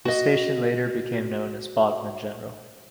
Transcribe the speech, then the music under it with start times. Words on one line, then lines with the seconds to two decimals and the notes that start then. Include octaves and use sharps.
The station later became known as Bodmin General.
0.05 F#4 D#5